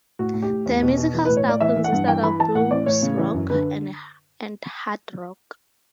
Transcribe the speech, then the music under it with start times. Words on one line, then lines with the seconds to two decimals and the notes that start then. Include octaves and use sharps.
Their musical style consisted of blues rock, and hard rock.
0.19 A2 F#4
0.34 A2
0.42 G4
0.50 A2
0.66 E2
0.82 B2
0.97 B2
1.13 E3
1.25 B4
1.29 A2
1.37 C#5
1.45 A2 D5
1.60 E3 E5
1.76 E3
1.84 F#5
1.92 G2
2.08 E3 G5
2.23 E3 B5
2.39 E3 A5
2.55 A2 F#5
2.71 E3 D5
2.86 A2 C#5
3.02 C#3
3.18 E3
3.34 F#2
3.50 D3 B4